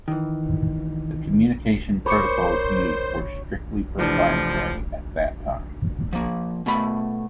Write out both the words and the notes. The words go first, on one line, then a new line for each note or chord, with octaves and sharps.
The communication protocols used were strictly proprietary at that time.
D#3 E3
A#4 C5 C#5 B5 D6 C#7
F1 E3 F3 D4
F3 A#3
B2 A3 B5